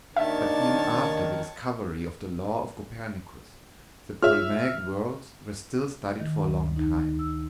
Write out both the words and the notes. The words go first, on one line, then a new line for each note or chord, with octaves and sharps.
But even after the discovery of the law of Copernicus the Ptolemaic worlds were still studied for a long time.
D#2 D#3 D4 C#5 E5 A5
F4 G#4 C#5 E5 F6
D#3
D2
D#4
E6